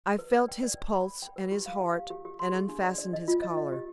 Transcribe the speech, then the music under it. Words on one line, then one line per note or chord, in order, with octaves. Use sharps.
I felt his pulse and his heart, and unfastened his collar.
B4
D5
G5
D5
G5
B5
B5
G5
B4
G4
F5
G4
F5
G4
G4
C6
G#4
D4
D5
D5
D#5
F4
D#5
D#5
G4